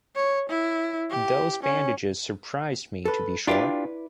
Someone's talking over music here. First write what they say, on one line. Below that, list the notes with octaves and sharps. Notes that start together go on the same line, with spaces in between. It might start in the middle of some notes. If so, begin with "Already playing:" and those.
Those bandages surprised me, to be sure!
C#5
E4
G4
C#4
A4 B4
D4 E4 F4 G4 B4 D5